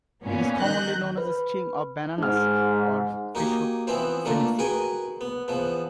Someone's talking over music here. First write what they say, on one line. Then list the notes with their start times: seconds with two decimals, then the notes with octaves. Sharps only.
It is commonly known as string of bananas or fishhook senecio.
0.25 A#2 B3 C#4
0.59 D#3 F#6 G6 A#6
1.18 B4
2.18 G#2 D#4 F6
3.35 A#3 D#4 F#4 G4 D#5 G#5
3.87 E3 F3 B3 C4 E4 C5
4.25 D3 A3 A#3 D4 F4
4.59 F#4 G#4 A#4 B4 G5 G#5
5.21 B3
5.48 E2 F3 B3